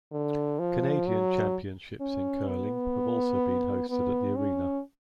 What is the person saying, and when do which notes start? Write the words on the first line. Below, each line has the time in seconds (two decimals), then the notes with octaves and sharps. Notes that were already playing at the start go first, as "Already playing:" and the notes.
Canadian championships in curling have also been hosted at the arena.
0.12 D3
0.59 F3
1.07 F#3
2.00 C#4
2.48 B3
3.90 B3
4.37 C#4